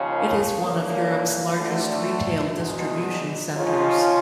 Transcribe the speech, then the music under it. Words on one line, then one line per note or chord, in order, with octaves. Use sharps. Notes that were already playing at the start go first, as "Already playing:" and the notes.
It is one of Europe's largest retail distribution centres.
Already playing: D#2 C#3 F3
D2 C#3 F3 A#3
D2 D3 F#3 A3
E2 B2 G#3
G#2 F3 G#3 C#4 F4